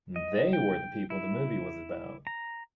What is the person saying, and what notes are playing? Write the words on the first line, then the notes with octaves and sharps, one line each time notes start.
They were the people the movie was about.
D#5
G5
E4
A#5